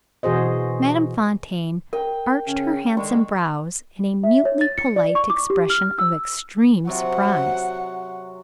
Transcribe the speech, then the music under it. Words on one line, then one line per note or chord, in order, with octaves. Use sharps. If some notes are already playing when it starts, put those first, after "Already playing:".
Madame Fontaine arched her handsome brows in a mutely polite expression of extreme surprise.
B2 E3 F#4 G#4 C5 D#5
A#4 G5
C#3 C#4
D3 D#3 G#3 C#6
E5
C#5
A6
C#7
D5
C#6
D6
G4
F6
E6
C3 F#3 F#5